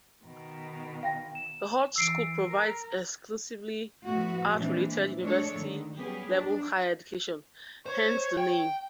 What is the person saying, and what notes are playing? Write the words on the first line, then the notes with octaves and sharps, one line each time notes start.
The Hogeschool provides exclusively art-related university-level higher education, hence the name.
B2 D#3
F5 G5 A#6
E7
E3 E6 C7 D7
A#4
A2 F3 A3 B3 F#4
A#2 E3 G#3 C4 D4
G#3 A3 D4 A4 C#5
D3 D#3
F#3 G3 B3 C#4 G4 G#4
D4
C5 C#5
G5